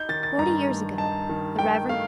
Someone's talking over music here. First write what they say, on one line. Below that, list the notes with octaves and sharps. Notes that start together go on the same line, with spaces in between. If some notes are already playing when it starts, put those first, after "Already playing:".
Forty years ago, the Rev.
Already playing: D#4 G6
D#3 A6
A6
G2 A#5
D#3
D#4 A5
D#3
D#3 G5
A3 F5